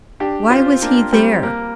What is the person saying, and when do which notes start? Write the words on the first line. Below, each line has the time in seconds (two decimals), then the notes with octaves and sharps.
Why was he there?
0.20 D4 G4
0.50 C4 F4
0.82 A#3 D4
1.13 G3 C4
1.43 A#3